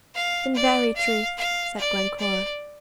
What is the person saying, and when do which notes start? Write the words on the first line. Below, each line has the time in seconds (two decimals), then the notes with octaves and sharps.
"In very truth," said Glencora.
0.15 F5
0.55 D5
0.96 F5
1.38 F5
1.79 D5
2.19 D5